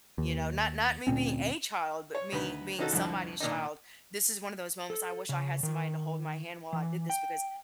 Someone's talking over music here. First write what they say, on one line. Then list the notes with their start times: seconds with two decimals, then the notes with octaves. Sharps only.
you know, not not me being a child, but me being somebody's child, this is one of those moments I wish I had somebody to hold my hand while I did this because
0.18 D#2
1.07 D2 A#2 C4 C#4
2.15 C#5
2.32 D2 D#3 B4
2.79 D#3 C#4 D#4 F#4 A4
2.92 C2 F2 D3 F3
3.40 A#2 D#3 D4 D#4
4.90 A4
5.29 C#3
5.63 D#3
6.73 E3
7.10 G5